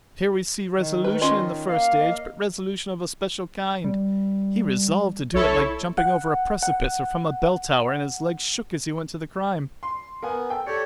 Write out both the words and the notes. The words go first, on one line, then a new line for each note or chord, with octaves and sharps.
Here we see resolution in the first stage, but resolution of a special kind: he resolved to do it like jumping over a precipice or from a bell tower and his legs shook as he went to the crime.
D#3
B4
C#4 F4 D#5
A#3 F5
D#5
G3
B1 E4 A4 C#5
F#5
F#5
C6
B3 A#4 F#5 G#5
A4 G5
G4 A4 C#5 D5 C#7